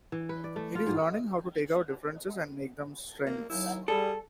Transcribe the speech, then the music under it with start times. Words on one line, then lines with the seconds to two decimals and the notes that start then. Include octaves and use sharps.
It is learning how to take our differences and make them strengths.
0.12 E3
0.29 B4
0.44 D5
0.56 A3
0.75 F4
0.87 G#2
3.27 A#3
3.50 D#2 F#3 E4
3.88 G3 G#4 A4